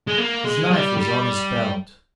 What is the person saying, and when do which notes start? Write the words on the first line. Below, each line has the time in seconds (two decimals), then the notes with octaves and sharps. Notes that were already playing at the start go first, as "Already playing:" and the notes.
His knife was on his belt.
0.08 G#3
0.19 A#3
0.45 G#3
0.71 G3
0.98 G3